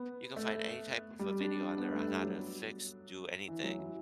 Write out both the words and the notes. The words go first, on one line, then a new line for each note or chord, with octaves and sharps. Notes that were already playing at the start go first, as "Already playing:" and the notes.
you can find any type of a video on there on how to fix do anything.
Already playing: B3
A3
G3
D4
B3
A3
G3
F#3
E3
F#3
E3